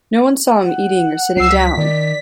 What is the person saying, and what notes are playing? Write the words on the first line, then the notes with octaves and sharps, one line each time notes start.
No one saw him eating or sitting down.
F#5
C#2 F#3 E6 C7
B6
D#3 D5